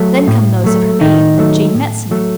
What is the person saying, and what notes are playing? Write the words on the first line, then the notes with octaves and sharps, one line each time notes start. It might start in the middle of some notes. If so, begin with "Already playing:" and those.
Then come those of her maid, Jane Metson.
Already playing: F#3 A3
A2
F#3 A3
A2 D#3 D#4
F#3 A3
A2
F#3 A3